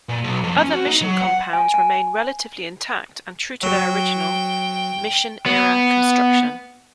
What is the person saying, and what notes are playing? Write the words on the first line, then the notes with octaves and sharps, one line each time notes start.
Other mission compounds remain relatively intact and true to their original, Mission Era construction.
A#2
B1
F2
C#4
F#4
D#4
F#3
F#5
G#5
G#5
F#3 G5
B3